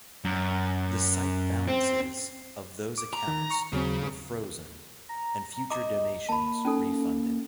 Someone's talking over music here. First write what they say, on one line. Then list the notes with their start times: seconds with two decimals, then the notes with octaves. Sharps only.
The site balances of those accounts were frozen and future donations refunded.
0.25 F#2
1.68 C4
2.98 D6
3.13 A#5
3.27 D#3
3.50 C#6 C#7
3.73 D#2 C#3 F#3 C4
5.09 A#5
5.70 D#5 A#5 D6
6.29 A#3 A5 B5
6.65 C#4 D#4 A4